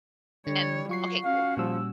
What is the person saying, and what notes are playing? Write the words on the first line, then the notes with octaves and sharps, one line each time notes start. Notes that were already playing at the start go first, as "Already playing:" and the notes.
and okay, cool
D3 G3 C#5
F#3 F4 C#6 C7
C#4 F#4 F5
A#2 F3 G3 E6